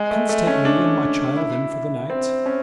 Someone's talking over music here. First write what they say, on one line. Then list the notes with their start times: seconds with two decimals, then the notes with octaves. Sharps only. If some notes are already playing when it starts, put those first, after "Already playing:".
"Canst take me and my child in for the night?"
Already playing: G#3
0.11 A3
0.29 A3
0.47 C#4
0.65 D4
1.37 E4
1.73 E4
2.10 C4
2.46 C#4